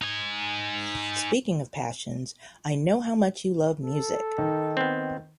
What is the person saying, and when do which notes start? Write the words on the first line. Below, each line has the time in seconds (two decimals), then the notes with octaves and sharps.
Speaking of passions, I know how much you love music.
0.02 D#4 G#5
3.84 A4
4.38 D#3 D#4
4.77 B3 C4